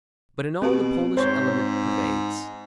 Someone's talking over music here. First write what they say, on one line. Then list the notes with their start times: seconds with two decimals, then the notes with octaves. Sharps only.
But in all the Polish element pervades.
0.62 B2 C4 F#4 G4 B4
1.17 G#2 C5 C#5